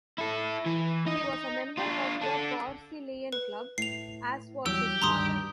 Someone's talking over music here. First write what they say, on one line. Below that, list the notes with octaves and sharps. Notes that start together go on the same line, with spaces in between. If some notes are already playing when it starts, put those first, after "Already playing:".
He was a member of the Porcellian Club, as was his father.
E4 A4
E3
D#4 D#5
D4 F4
D4 A4
B4
A2 C7 F7
E2 F#3 G3 G4 E6
D2 G2 D#3 A#5 C6 D#6